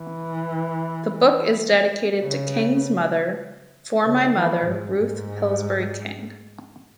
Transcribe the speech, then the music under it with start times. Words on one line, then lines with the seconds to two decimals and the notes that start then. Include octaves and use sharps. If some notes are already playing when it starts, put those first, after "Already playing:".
The book is dedicated to King's mother: For my mother, Ruth Pillsbury King.
Already playing: E3
2.20 C#3
4.03 C#3
4.35 E3
4.65 G#2
4.96 G#2